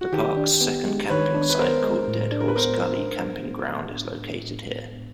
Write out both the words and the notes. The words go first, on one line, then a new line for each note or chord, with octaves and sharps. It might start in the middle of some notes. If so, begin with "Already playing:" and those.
The park's second camping site called Dead Horse Gully camping ground is located here.
F#4
D#3 G4
D4
B3
G#3
D#3 B4 C#5
D4
B4
B3 A#4 C5
G#3
A2
D4
A#4
B4
B3 A#4 C5